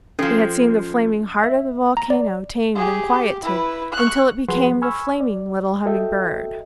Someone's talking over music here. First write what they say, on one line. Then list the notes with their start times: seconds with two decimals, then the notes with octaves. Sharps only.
He had seen the flaming heart of the volcano tamed and quieted until it became the flaming little Humming-Bird.
0.19 F3 G#3 C#4 A4
1.44 E5
1.97 A#5
2.10 D5
2.76 G4 G#4
3.11 G4
3.43 E4 B4
3.93 C#6 F#6
4.49 F3 F#3 G#4 B4 F#5 C6
4.82 G#5 B5 C#6 E6 F6 G#6
5.21 D5
5.85 F#4 A4 D#5 E5 G5